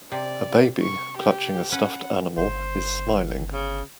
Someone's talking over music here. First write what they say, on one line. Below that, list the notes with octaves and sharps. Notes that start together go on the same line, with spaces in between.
A baby clutching a stuffed animal is smiling.
C3 D5
C#6
G4
C#4 B4 F#5
G1 C5
C#3